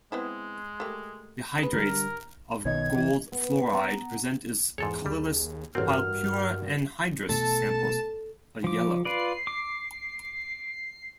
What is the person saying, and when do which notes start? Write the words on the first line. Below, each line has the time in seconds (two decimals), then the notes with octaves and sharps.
The hydrates of AgF present as colourless, while pure anhydrous samples are yellow.
0.12 G#3 B3 C4 E4
0.80 A3 A#3 G4
1.59 G#3 B4
1.73 D3 G3 A#4
2.65 B1 B2 D#3 C#5 D#5 G#6
2.95 E3
3.32 B3
3.73 B3 F#5 A#5
4.78 E2 G#2 G#4 A4 C#5
5.06 D#2 G3
5.75 A1 G2 C4 F#4 A#4 F#5 F6
7.29 B2 A3 A4 A5
8.64 F3 D6
9.05 F4 B4 D5 C7
9.47 D6